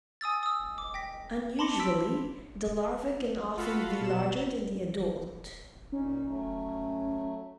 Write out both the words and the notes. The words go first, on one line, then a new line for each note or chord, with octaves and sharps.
Unusually, the larva can often be larger than the adult.
G#5 D#6 E6 A6
D#6 E6
D6
G5 A#6 B6
A5 B5 C6 D6 A#6 C#7
E6 B6 D7
F4 F#4 A4 F5 F#5 B5
B2 E7
A#2 C#4 D#4
F#3 A3